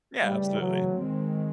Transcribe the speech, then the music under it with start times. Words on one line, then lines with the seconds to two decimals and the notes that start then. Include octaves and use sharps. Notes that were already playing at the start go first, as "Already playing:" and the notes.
Yeah, absolutely.
0.23 C#3 E3 G3 A3
0.59 F#3
0.96 D#3 G#3 C4